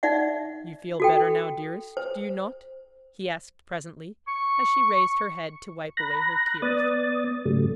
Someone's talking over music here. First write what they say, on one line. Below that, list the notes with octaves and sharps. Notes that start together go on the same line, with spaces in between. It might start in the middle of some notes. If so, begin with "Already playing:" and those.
"You feel better now, dearest, do you not?" he asked presently, as she raised her head to wipe away her tears.
D#4 D5 E5 F#5
F#4 A4 G5
C5
C#6
A#5 B5 F#6 A#6
B3 D5 D#6 A6
G#2 C#3 F#3 G3 A3